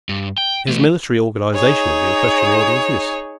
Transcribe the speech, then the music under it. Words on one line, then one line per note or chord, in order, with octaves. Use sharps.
His military organization of the equestrian order was this.
G2
G5
E3 A3
D#4 G#4 C#5